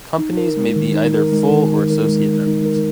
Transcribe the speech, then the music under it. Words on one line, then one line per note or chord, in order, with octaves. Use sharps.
Companies may be either full or associate members.
D#4
A#4
G#3
D#3
D#4
A#4
G#3
D#3
D#4
A#4
G#3
D#3
D#4
A#4